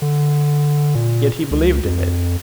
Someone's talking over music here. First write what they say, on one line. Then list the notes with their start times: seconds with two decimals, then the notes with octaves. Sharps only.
Yet he believed in it.
0.02 D3
0.95 A#2
1.51 C#2
1.85 F2